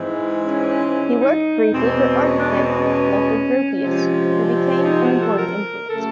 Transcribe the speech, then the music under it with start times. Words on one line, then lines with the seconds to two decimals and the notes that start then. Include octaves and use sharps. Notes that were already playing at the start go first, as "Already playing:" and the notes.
He worked briefly for architect Walter Gropius, who became an important influence.
Already playing: G#2 E3 G#3 C4
0.42 C#4
0.68 C#4
1.20 D#4
1.72 E2 B2 G#3 C4
2.24 C#4
2.37 D4
2.51 C#4
2.63 C4
2.76 C#4
3.81 C3 F3 G#3 C4
4.32 D4
4.84 D#4
5.01 F#4
5.19 A4
5.37 A#4
5.88 C#3 F#3 A3 A4